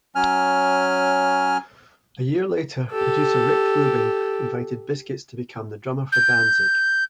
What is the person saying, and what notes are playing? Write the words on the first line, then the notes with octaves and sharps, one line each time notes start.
A year later, producer Rick Rubin invited Biscuits to become the drummer for Danzig.
F#3 C#4 G#5 F6
G4 A4
G6